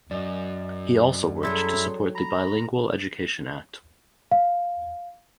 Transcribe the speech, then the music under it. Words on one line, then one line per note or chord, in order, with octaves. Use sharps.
He also worked to support the Bilingual Education Act.
F#2 D5 D#5
F#3 G3 E4 G#4 A4 D5 E5 C6
A#5 B5
F5